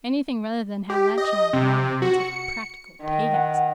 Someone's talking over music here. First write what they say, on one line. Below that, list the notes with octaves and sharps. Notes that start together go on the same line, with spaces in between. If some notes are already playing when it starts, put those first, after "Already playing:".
Anything rather than have that child brought up in such practical paganism.'
G4
D#5
C3
F#4
C#7
D#3
F#5